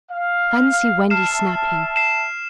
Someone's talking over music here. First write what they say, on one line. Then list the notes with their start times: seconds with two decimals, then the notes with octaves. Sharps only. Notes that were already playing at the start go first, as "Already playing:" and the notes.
Fancy Wendy snapping.
0.11 F5
1.10 E5 A5 F6 C7 E7
1.96 C7 E7